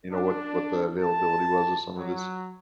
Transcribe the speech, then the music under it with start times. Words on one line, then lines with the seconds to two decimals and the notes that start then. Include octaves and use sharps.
you know, what what the availability was of some of this.
0.11 D4
0.99 A5
1.96 F#3